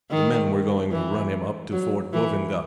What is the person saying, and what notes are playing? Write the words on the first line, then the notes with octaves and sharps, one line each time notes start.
The men were going to run him up to Fort Govindghar.
D#3
E3
F#3
E3